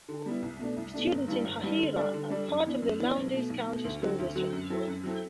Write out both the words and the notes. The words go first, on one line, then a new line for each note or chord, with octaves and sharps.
Students in Hahira are part of the Lowndes County School District.
D3
G3 B3 E4
C2
B2 A3 D4
C2
B2 A3 D4
G1
G2 E3 G3
G1
G2 E3 G3
D3
G3 D4 A4 D5
D3
G3 D4 A4 D5
F#2
E3 B3 D4
F#2
E3 B3 D4
B1
B2 A3
B1
B2
A3
D2
D3 F#3 C4 F#4
D2
D3 F#3 C4 F#4
F#2
F#3 C4 E4 A4
F#2
F#3 C4 E4 A4